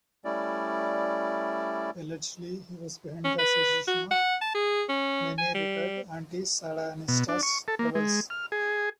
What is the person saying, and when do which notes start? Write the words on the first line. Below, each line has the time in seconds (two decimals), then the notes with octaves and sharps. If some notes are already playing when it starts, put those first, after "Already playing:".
Allegedly, he was behind the assassination of many retired anti-sandinistas rebels.
0.25 G3 A3 C#4 E4 D5
3.24 C#4
3.39 B4
3.87 F#4
4.11 F#5
4.41 A5
4.55 G#4
4.89 C#4
5.38 G#5
5.54 G3
7.08 B2
7.29 D4
7.43 C#6
7.68 A4
7.79 A#3
7.95 G#3
8.30 F6
8.52 G#4